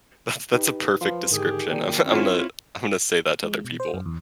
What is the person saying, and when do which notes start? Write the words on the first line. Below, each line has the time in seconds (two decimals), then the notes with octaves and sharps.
That's that's a perfect description of I'm gonna I'm gonna say that to other people.
0.53 D#4 G4 B4
1.01 F3 B4 F5 C6
1.31 G#2 D3 D#3 G4 G#4 D#6
1.71 A#2 D#3 D5 G5
2.05 F#2 C4 E4 F4 C#5 F5
3.43 G#3
3.65 B2
3.80 C5
3.94 F#2
4.06 E2